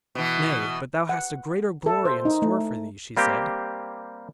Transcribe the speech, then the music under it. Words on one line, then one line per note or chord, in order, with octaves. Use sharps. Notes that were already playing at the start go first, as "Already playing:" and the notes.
'Nay, but thou hadst a greater glory in store for thee,' she said.
B2 E3
F#5
A4
C5
D#4
A3
G3 A#3 C4 G4